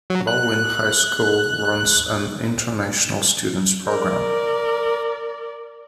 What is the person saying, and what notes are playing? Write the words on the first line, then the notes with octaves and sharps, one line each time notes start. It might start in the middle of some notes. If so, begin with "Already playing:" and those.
Balwyn High School runs an 'International Students Program'.
F#3
F#6
A#4 D5